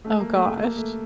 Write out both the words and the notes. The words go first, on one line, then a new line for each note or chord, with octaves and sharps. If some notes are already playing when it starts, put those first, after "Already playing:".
Oh, gosh.
A3
A#3
A3
A3
A#3
A3